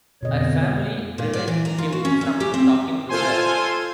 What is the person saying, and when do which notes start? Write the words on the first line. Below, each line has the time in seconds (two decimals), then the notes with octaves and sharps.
Her family prevent him from talking to her.
0.23 F2 B2 D3 C#5 D#5
1.18 A#2
1.33 D5
1.48 E3
1.65 A#5
1.78 F4
1.92 F#4
2.05 C#4
2.21 C#4
2.40 G4
2.54 C4
3.09 F4 A4 C5 G#5 C6